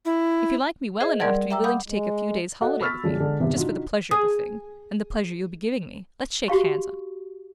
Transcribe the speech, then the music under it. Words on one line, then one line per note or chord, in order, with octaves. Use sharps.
If you like me well enough to be willing to take a few days' holiday with me, just for the pleasure of the thing, and the pleasure you'll be giving me, let's shake hands on it.
E4
G#4 C5 D#5 E5
G3 A#4 D5 F#5 C6 G#6
E5 G5 A#5 D6 E6
F5 F#5 B5 D6 D#6 G6
G#3
F#4 A4 D#5 F5 F#5
B5 C#6 E6 F6 A6 B6
F#2 D3 F3 G#3
D3 G#3
G1 E2 C3 D#3
D4 D#4 F4 F#4
G#4 D#6
F#4 G4 F5 C#6